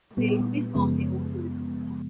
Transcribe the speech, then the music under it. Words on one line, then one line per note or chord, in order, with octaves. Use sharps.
They instead formed their own group.
A#2 G3 B3
F#2 C#3 F3 G#3 B3